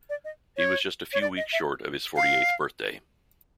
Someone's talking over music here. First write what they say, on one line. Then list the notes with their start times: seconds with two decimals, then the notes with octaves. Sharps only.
He was just a few weeks short of his forty-eighth birthday.
0.10 D5
0.25 D#5
0.57 C#5
1.13 C#5
1.21 D5
1.37 D#5
1.53 E5
2.16 F5